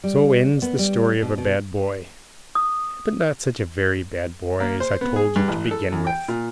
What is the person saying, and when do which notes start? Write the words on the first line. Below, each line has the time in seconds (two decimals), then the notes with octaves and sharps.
So ends the Story of a Bad Boy--but not such a very bad boy, as I told you to begin with.
0.04 G3
0.62 B3
0.79 G3
1.22 B2
1.38 B2
2.55 D#6
4.60 A#3
4.80 C5
5.01 B3
5.16 G#4
5.36 G2
5.48 A1
5.71 A4
5.92 E2
6.07 G5
6.28 A#2